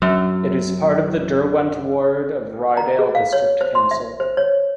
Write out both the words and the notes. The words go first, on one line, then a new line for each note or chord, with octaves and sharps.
It is part of the Derwent ward of Ryedale District Council.
F#2 F#3
A#5
G#4
F5
C#5
C5
C6
E5
C5
C#5